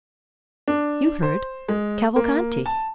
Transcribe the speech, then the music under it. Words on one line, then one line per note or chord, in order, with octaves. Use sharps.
"You heard--Cavalcanti."
D4
C5
G#3
A#3
A5